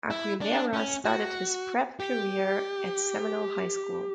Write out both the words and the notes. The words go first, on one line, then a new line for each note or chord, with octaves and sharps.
Aguilera started his prep career at Seminole High School.
E4
D4
C#4
F#4
G4